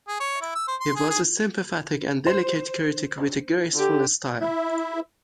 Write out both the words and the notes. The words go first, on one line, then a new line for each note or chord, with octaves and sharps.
He was a sympathetic and delicate critic, with a graceful style.
G#4
C#5
E4
E6
C5
C6
G#4
G#4
C5
D3 G4
E4 E5